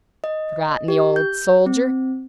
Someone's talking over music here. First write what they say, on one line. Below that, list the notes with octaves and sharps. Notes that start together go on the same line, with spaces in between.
Forgotten the Old Soldier!
D#5
G4
G6
C4